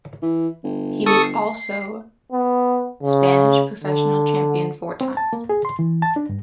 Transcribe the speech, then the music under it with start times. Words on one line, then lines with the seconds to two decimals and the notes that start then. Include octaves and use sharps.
He was also Spanish professional champion four times.
0.22 E3
0.64 G1
1.06 A4 C#6 D#6
1.24 C7
2.32 B3
3.02 C#3
3.84 D3
5.01 C4
5.17 A5
5.33 A#3
5.49 G#4
5.65 C6
5.79 E3
6.02 A5
6.16 D4
6.29 G2